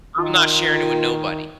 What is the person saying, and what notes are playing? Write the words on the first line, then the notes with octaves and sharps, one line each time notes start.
I'm not sharing it with nobody.
D#3 F4